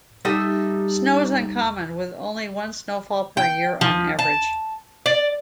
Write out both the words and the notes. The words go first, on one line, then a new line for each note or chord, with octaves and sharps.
Snow is uncommon, with only one snowfall per year on average.
G3 D#4 A4 E5
G5
F3
A5
D5